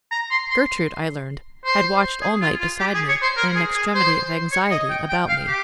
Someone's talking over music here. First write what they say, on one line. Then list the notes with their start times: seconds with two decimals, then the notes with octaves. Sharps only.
Gertrude, I learned, had watched all night beside me, in an extremity of anxiety about me.
0.11 A#5
0.31 C6
0.50 C6
1.65 C5
2.22 G#4
2.42 F4
2.60 F4
2.80 G4
2.94 G#4
3.09 C#5
3.22 C5
3.37 A#4
3.56 G#4
3.75 G#4
3.95 C5
4.52 C#5
4.71 D#5
4.90 G5
5.09 G5
5.29 F5
5.47 G4